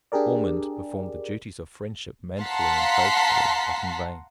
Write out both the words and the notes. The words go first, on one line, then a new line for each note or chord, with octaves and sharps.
Ormond performed the duties of friendship manfully and faithfully, but in vain.
D4 G4 G#4 A#4 D5
F5 F#5 A5 A#5 C6 B6